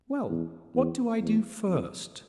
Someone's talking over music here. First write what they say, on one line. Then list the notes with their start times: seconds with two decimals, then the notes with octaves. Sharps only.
"Well, what do I do first?"
0.28 E2
0.75 E2
1.21 E2
1.68 F2